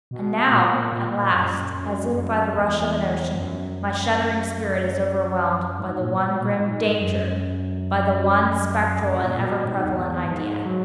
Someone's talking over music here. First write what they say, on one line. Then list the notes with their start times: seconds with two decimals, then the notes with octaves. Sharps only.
And now, at last, as if by the rush of an ocean, my shuddering spirit is overwhelmed by the one grim Danger--by the one spectral and ever-prevalent idea.
0.11 B2
0.52 A#2
0.92 A#2
1.32 F#2
1.74 F#2
2.14 F#2
2.54 E2
3.36 F#2
5.79 G#2
5.99 A#2
6.20 B2
6.39 A#2
6.60 G#2
7.00 F#2
9.03 F#2
9.23 A#2
9.34 A#2
9.43 B2
9.64 G#2
9.84 E2
10.24 G#2
10.66 F#3